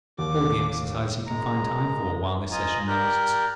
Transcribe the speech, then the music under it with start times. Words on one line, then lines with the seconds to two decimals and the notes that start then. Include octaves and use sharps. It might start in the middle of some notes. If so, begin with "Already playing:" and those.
It's all the exercise he can find time for while this session lasts.
0.18 D#2 D6
1.27 F#2 G#3 A#5
2.51 F4 D#5 G#5 A#5
2.88 G4 A#4 D5 A#5 F#6 G6